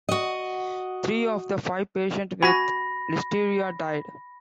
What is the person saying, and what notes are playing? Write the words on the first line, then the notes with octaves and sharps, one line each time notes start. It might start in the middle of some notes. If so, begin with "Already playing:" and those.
Three of the five patients with listeria died.
F#4 D#5
F#4 G#5 B5 A#6